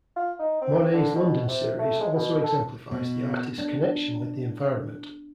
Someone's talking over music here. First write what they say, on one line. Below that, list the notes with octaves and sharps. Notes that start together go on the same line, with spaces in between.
Monet's London Series also exemplifies the artist's connection with the environment.
F4
D#4
C4
D3
B2
C3
A3
G#3
B2
A4
B2
D4